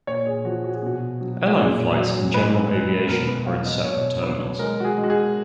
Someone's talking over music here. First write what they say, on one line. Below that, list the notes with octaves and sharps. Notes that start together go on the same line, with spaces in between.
Airline flights and general aviation are in separate terminals.
A#2 C#5
G#4
F3 F#4
F#4
G#4
B2 F#4
F#3
F#4
A#2 G#4
F#3
G#3 B4
G#3
B2 A#4
B4
F#3 F5
D#5
B2 C#5
F#3 B4
G#3 A#4
F#4
G#4
G#3
F#4
G#4